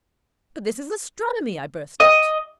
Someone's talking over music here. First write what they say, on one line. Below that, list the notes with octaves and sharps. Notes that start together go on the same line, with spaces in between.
'But this is astronomy,' I burst out.
D#5